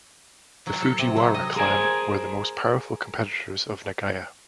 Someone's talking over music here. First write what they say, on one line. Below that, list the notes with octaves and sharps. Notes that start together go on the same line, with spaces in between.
The Fujiwara clan were the most powerful competitors of Nagaya.
F#3
A4
C3
F#3
D#5
G#4 A#4 C5 G#5